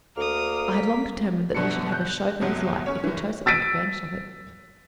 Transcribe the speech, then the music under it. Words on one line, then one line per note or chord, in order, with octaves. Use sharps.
I had long determined that he should have a show for his life if he chose to take advantage of it.
D2 A#3 D#6 F6
B6
G1 B2 D3 D4 C#7
F#6 G6
G1 C2 F#3
C#4 C#5
F#1 E3
E6 A6 B6 D7 D#7